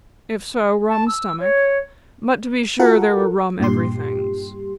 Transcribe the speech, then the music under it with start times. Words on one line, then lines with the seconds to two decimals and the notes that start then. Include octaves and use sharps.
If so, rum stomach. But to be sure there were rum everythings.
0.89 A5
1.08 E6
1.40 C#5
2.79 F4 F#4 A4 A#4 F#5
3.60 G2 A#2 G4 C6